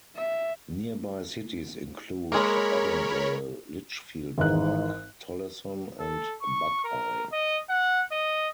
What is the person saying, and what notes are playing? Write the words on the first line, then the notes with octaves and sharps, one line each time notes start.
Nearby cities include Avondale, Litchfield Park, Tolleson and Buckeye.
E5
G#3 A#3 A#4 C#5 B5
G#1 G#2 E3 D#4 F#6
A4
C#6
A#4
D#5
F#5
D#5